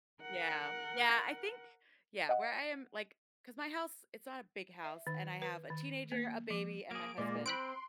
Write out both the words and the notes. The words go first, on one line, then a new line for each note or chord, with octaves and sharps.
Yeah, yeah, I think yeah, where I am like, 'cause my house, it's not a big house, and I have a teenager, a baby, and my husband,
A#4 F#5
D#5 F#5
E5
D#3
B4
D#3
A#3
F3
A#3 G#4 D7
A#2 G#3 A#3 D5
C4 B5 C6 F#6 D7